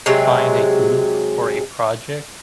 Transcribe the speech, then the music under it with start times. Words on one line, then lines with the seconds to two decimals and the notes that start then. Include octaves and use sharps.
find a group for a project,
0.06 C3 F#3 G#3